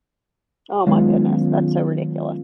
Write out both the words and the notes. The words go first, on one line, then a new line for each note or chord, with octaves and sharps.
Oh my goodness. That's so ridiculous.
D#3 F#3 G#3 B3 C#4 F4